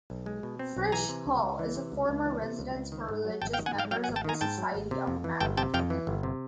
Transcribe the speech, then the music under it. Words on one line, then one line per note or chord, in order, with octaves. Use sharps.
"Frische Hall" is a former residence for religious members of the Society of Mary.
B1
G#3
B2
C4
B1
E3 G#5 A#5
C3
C#2
C#2
E3
C3
C#2
C#2
E3
C3
C#2
C#2
D#3
G#2
F#3
G#1 G5 A5
F5 G5
D#3
F#5 G#5
G#2 F5 G5
F#3 F5 G5
F#5 G#5
G#1
G5 A5
D#3 G#5 A#5
G#2 G5 A5
F#3
G#1
C3
F2
E3
G1 G5 A5
C3 G5 A5
F2 F5 G5
E3
G1
C3